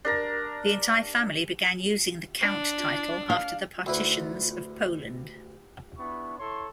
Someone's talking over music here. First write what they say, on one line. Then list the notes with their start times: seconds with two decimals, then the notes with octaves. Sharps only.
The entire family began using the Count title after the partitions of Poland.
0.05 D4 A#4 A#5
2.41 D4
3.30 F5
3.86 D2 E4 B4
5.98 B3 D4 E4 C#6
6.38 E4 A4 C#5 C6 C#6